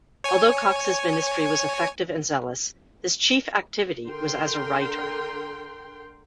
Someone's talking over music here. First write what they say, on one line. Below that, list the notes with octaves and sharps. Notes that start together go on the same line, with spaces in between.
Although Cox's ministry was effective and zealous, his chief activity was as a writer.
C#5 G#5
D3 A#4 G5 C6